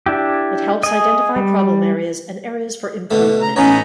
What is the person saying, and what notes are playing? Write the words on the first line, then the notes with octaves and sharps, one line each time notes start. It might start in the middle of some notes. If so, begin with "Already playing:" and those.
It helps identify problem areas and areas for improvement.
D4 E4 G4
G#4 D#5
G3
B2 D3 A3
A#5
A1 B3 C#4 D#4 C#5 A#5